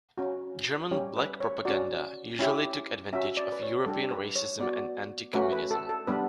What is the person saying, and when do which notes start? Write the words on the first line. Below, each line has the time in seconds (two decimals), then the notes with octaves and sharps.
German black propaganda usually took advantage of European racism and anti-Communism.
0.18 C#4 F#4
0.91 G3 C#4 G4 C#5
1.17 B4
1.40 C#5
1.65 C#4 F#4 D5
2.39 C#4 E4 G4
3.13 C#4 F#4 E5
3.37 D5
3.52 B4
3.62 C#5
3.86 G3 D4 G4 A4
4.11 B4
4.36 C#5
4.60 B3 F#4 D5
5.33 A3 C#4 F#4 B4
5.52 B4
5.71 A4
5.89 A4
6.07 G3 B3 D4 B4